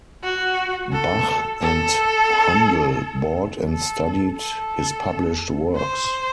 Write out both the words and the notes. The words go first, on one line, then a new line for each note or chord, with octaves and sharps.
Bach and Handel bought and studied his published works.
F#4
A4
A4
A4
A4
C5